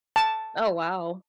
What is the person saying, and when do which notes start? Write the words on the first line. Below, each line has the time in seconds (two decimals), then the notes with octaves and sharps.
Oh, wow.
0.16 A5